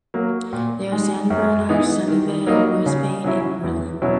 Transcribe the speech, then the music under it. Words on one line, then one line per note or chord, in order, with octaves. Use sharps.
They are San Bruno, Sunnyvale, Brisbane, and Portland.
F#3 A#3
A#2
G#3 D#4
F#2
E3 B3 D#4
D#3
F#3 A#3 D#4
C#3
F#3 C#4 E4
E2
B2 F#3 C#4 E4